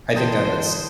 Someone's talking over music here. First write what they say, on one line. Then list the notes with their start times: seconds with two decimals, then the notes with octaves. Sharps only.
I think that that's
0.15 D3 E3 F3 E4 C5 D#5 G5 A5